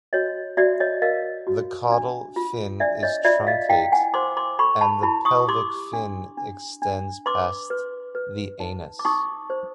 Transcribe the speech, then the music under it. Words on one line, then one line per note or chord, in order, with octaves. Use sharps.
The caudal fin is truncate and the pelvic fin extends past the anus.
F#4 C#5 D#5
F#4 D5 E5
C#5 D#5
A#4 D#5 F5
F#4
D4
F4
D4 D5 E5
C#5 D#5
F4 D5 E5
D#5 F5
E4 F5 G5
F#5 G#5
C5 C6 D6
C6 D6
A4 B5 C#6
A5 B5
E4 A5 B5
C#6 D#6
G4 C6 D6
D4
D4
D4
B4 C6 D6
B4
B4
D#4
D6
D#4 C#6 D#6
C5